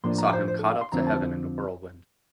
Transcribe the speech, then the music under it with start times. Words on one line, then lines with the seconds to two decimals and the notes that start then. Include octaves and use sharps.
They saw him caught up to heaven in a whirlwind.
0.04 A2 F3 A#3 D4 C6
0.18 A#5
0.33 C5
0.48 C5
0.59 A4
0.70 F5
0.81 C6
0.92 F2 D3 F3 C4 A#5
1.07 A5